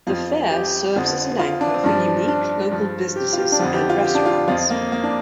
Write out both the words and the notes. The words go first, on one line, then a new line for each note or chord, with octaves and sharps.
The fair serves as an anchor for unique local businesses and restaurants.
F2 F3 F4
G4
F2 D3 F3
F4
D4
C4
G2 F3 D4
D4
G2 F3
G4
F4
G4
D4
F2 D3 F3 F4
G4
F4
G4
D4
F4
F2 F3 F4
A#3
A#3
D4